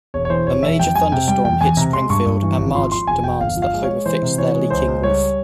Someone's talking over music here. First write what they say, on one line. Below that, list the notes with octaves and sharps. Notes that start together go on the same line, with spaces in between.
A major thunderstorm hits Springfield, and Marge demands that Homer fix their leaking roof.
E1 C#5
C#5
E3 C5
E1 C#5
E2 E5
F2 G5
F2 G#5
C3 G5
G3 G5
E2 G5
E2 G#5
C3 A#5
G#3 C6
G2 C#6
G2
E3
G#1
F3 C6
F3 C6
E1 G#5
E2 G5
G1 F5
F3
F5
G#3
C#5
G#3
E3 C5
C3
E3 C#5
G#3
C#2 C5
C#2
G3 C#5